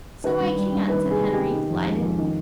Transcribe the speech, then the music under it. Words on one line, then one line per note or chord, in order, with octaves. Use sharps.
"So I can!" said Henry, delighted.
D#3 B4
G2
G3
G2
D#3 B4
C3
G#4
G3
C3 G4
D#3
F2
G#3
F2
D#3